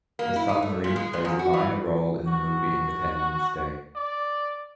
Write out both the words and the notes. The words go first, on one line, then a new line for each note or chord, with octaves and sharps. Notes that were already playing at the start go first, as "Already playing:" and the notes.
The submarine plays a minor role in the movie Independence Day.
A#3
E4
D#4
A3
A#2
G#3
A#2
E2
F#4
E3
F#4
D5